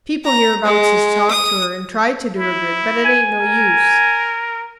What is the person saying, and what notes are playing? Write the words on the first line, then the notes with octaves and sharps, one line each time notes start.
People hereabouts has talked to her and tried to do her good, but it ain't no use.
A#5
G#3
D#6
E4
G#5
A#4